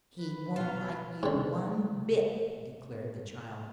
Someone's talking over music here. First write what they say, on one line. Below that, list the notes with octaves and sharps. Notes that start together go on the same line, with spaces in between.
"He won't bite you one bit," declared the child.
B4
B2 F#3 F4
G#2 D3